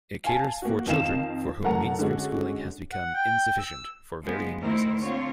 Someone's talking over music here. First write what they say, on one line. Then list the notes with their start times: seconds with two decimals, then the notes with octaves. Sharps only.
It caters for children for whom mainstream schooling has become insufficient, for varying reasons.
0.24 F5 G#5 A5
0.62 A#3 F#4
0.86 F2 D#3 F5 E7
1.63 F#1 A3 A#4 F#5 A5 A#5
1.99 D3 G#3 C#4 F#4
2.92 F#5
3.14 G5
3.59 E6
4.22 F3 G#3 B3
4.60 D2 D#3 A3 E4 A#4 C5
5.01 D3 A#3 C4 F4 C#5